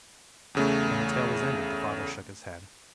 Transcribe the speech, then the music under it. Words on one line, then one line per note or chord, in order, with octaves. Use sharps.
But when the tale was ended the father shook his head.
E2 C#3 A3